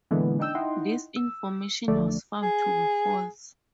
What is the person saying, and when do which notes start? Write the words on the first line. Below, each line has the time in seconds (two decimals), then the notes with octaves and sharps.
This information was found to be false.
0.11 A#2 D3 E3 G#3 B3
0.39 D4 D#4 G5 E6 G6
0.55 D#4 E4 D#5 F#5 G5 C6
1.16 E6
1.88 A#1 D3 F3 A3 D5
2.42 G#4